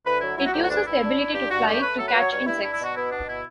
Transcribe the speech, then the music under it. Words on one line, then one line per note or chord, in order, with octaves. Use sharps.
It uses the ability to "fly" to catch insects.
D2 B4
F#3 E4
F#3 E4
F#4
D2 G4
F#4
G2 D4
G2 E4
D4
D4
G2 G4
G2 F#4
A3 G4
C#5
A3 B4
F#3 A4
B4
F#3
C#5
G2 C#5
G2 E4
D4 E4
E4
B2 F#4
B3 E4
B2 D4
E4